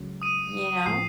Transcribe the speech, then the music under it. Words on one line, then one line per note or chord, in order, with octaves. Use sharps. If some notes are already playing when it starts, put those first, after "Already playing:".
You know?
Already playing: C#2 C#3 F#3 A3
D#6 D#7
A2 F3 C7